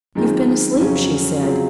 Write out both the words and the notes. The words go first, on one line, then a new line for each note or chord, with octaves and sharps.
"You've been asleep," she said.
F#2 D#3 G#3 C4 F4
F2 C#3 F#3 C#4
C#3 F#3 C4 F4 G#4